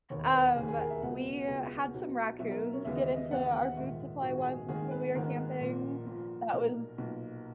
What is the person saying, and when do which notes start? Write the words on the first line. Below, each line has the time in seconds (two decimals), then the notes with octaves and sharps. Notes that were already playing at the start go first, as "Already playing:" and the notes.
Um, we had some raccoons get into our food supply once when we were camping. That was
0.10 E1 D#2 D#3 C#5
0.33 B4
0.56 E1 D#2 D#3 G#4
0.68 G#4
0.79 A#4
0.90 E5
1.01 C#2 B2 G#3 B3 F#5
1.48 C#2 B2 G#3 B3
1.94 B1 B2 F#3
2.39 B1 B2 F#3 E5
2.51 A#4
2.73 C#5
2.85 D#2 C#3 E3 G#3 B3 E5
2.96 D#5
3.01 E5
3.16 D#5
3.31 D#2 C#3 E3 G#3 B3 F#5
3.46 E5
3.62 F#5
3.77 A#1 G#2 D#3 E5
4.22 A#1 G#2 D#3 F#4
4.38 G#4
4.53 G#4
4.68 G#1 G#2 D#3 A#3 G#4
4.91 B4
5.14 G#1 G#2 D#3 A#3 A#4
5.60 A#1 A#2 A#3
6.06 A#1 A#2 A#3
6.52 B1 A#2 A#3 A#4
6.98 B1 A#2 A#3